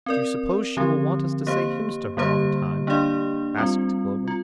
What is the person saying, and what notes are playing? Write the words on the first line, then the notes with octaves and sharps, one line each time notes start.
"Do you suppose she will want us to say hymns to her all the time?" asked Clover.
C4 A#4 D5
D3 F3 C4 G4
A#3 G4 C5 F5
D3 G3 A#3 G4 C5
A#3 D4 G4 D5 F5
G3 C4 F4
F4